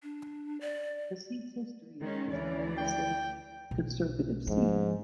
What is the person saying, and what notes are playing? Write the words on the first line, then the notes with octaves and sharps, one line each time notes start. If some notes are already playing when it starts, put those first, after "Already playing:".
The seat's history is that of a safe Conservative seat.
D4
D5
D#3 G#3 C#4
D2 E3 C#4 D5
G5
B1
G#2 F3